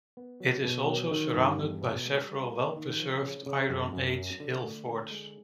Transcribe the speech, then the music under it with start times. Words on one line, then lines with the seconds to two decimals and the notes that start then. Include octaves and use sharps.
It is also surrounded by several well-preserved Iron-Age hill forts.
0.17 B3
0.40 F#3
0.64 B2
0.87 F#3
1.11 D#3
1.34 G2
1.58 E2
1.82 B2
2.05 G#3
2.29 G3
2.52 A#3
2.76 D#3
2.99 F3
3.23 C#3
3.46 C#3
3.70 F#2
3.93 F#2
4.17 F#3
4.40 D3
4.64 A3
4.87 D3
5.11 G#3